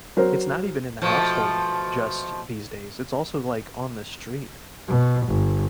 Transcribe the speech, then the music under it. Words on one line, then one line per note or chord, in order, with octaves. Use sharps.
It's not even in the household, just these days, it's also, like, on the street.
F#3 A#4 C5
B2 F3 A3
B2
G1